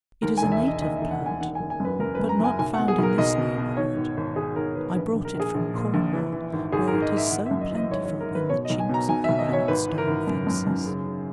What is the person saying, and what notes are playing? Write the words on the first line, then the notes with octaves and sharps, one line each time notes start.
It is a native plant, but not found in this neighbourhood; I brought it from Cornwall, where it is so plentiful in the chinks of the granite stone-fences.
D#2 A#4
G#5
E1
E5
E1
D#5
D#2 D#5
E5
E1
F#5
E1 G#5
D#3 F#5
G#5
F#1
G#5
F#2 B4
F#2 A#4
B4
F#2
A#5
F#1 G#5
B1 G#5
F#5
B2
G#4
B1 A#4
B1 D#5
B2
B2
D#3 C#5
G#1
G#1
D#3 G#4
G#1 A#4
G#1 B4
A#1 B4
A#1
A#4
A#1
G#4
A#1
A#2
A#1
E3
E3
G#1
G#1 G#4
A#4
G#2
D#5
G#2
E5
G#1 F#5
E5
F#2
D#5
E3 D#5
G#1 C#5
C#5
G#1
A#4
G#1 B4
B2 C#5
D#5
B1
G#5
B2 A#5
B1 G#5
E5
B1
D#5
B2 C#5
G#1 B4
E3
A#4
G#1
F#2
F#2
F#2
C#3
C#3